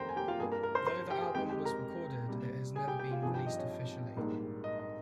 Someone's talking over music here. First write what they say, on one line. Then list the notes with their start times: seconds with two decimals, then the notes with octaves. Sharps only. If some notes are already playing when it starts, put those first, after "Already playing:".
Though the album was recorded, it has never been released officially.
Already playing: F1 D#2 A#3 C5 G5 A#5 C6
0.09 G#5
0.16 G4 G5
0.28 F4 F5
0.40 G2 G3 A#3 G#4 G#5
0.52 A#4 A#5
0.63 A#4 A#5
0.75 C5 C6
0.87 C5 C6
1.10 G4 G5
1.22 G#4 G#5
1.34 F2 D#3 G#3 G4 G5
1.50 G4 G5
1.65 A#4 A#5
2.29 C2 A#2 G3
2.76 G#4 G#5
2.88 G4 G5
2.99 G4 G5
3.11 F4 F5
3.22 G#1 G2 F3 G#4 G#5
3.34 G4 G5
3.46 D#5
3.58 C#5
4.17 A#1 G#2 D#3 G3 A#3
4.64 D#5
4.79 D#5